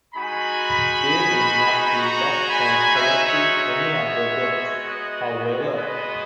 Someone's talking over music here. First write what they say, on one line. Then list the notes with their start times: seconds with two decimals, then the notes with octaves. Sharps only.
They would not be blocked from collecting any "other" debts, however.
0.14 G#3 D#4 F#4 G#5 B5
2.01 A#5 C#6
2.49 G#5 B5
2.96 E5 G#5
3.27 C#5 E5
3.58 C#5 E5
3.89 G#3 B3 F#4
4.83 D#5 F#5
5.77 B4 D#5